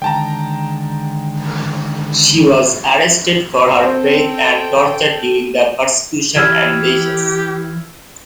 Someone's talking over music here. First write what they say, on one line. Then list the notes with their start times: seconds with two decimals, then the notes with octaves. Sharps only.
She was arrested for her faith and tortured during the persecution of Decius.
0.02 D3 D#3 G#3 G5 A5 A#5
3.83 C4 A4 G5
6.36 E3 G4 E6 F6 G#6